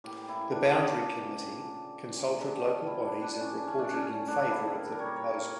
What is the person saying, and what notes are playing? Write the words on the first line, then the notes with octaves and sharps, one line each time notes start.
The Boundary Committee consulted local bodies and reported in favour of the proposal.
A2 E3 A#3 G4
E4
D4
C#3 E3 A#3 D4
A#2 F3 A3
A2 G3 A#3 C#4
D4
G4
F4
A2 F3 A#3 E4
D4
D4
C#4
D3 A3 D4
C#4
D4
C#4
D3 G3 A#3 D4
E4
A#4
A#4
A#2 G3 A#3 C#5
C#5
A#4